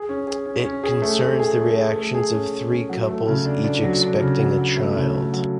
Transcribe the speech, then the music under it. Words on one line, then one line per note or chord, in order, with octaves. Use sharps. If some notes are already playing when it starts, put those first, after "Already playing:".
It concerns the reactions of three couples each expecting a child.
Already playing: G#4
C#4
G#4
C#4
C#4
G#4
A3
A3
G#4
A3
G#4
A3
G#4
C#4
C#4
C#4
F#3
A3
C#3
D4
D4
F#3
D4
C#3
F#3
F#3
A3
C#3
A3
F#3